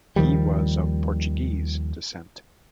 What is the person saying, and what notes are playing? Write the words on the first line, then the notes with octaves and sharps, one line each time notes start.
He was of Portuguese descent.
D#2 D#3 F3 G3